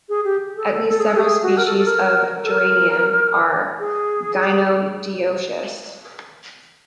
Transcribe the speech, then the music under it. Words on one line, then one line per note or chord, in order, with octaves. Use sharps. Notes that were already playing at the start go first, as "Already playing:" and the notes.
At least several species of "Geranium" are gynodioecious.
G#4
G4
A4
A4
A4
G#4
A4
G4
G#4
F#4
A#4
A4
A4
A#4
A4
A#4
G#4